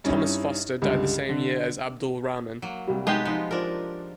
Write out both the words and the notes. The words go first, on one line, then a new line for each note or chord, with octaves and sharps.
Thomas Foster died the same year as Abdul-Rahman.
G2 C#4 D#4 E4
C#2 G2 D3 G3
D3
F#3 A#3
C2 G3
G#3 B3 D#4 G4 B4
F3 D#4
F3 D4 A#4